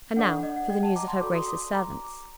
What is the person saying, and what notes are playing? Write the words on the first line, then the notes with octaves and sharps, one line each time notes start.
"And now for the news of her Grace's servants."
D4 A4 D5 F#5
F#5
D#5
F#5
D#5 G5
F#5 A5
A#5 D6
A5 C6
F#4 A4 D5 A#5 D6
C6 D#6
C6 D#6
A#5 D6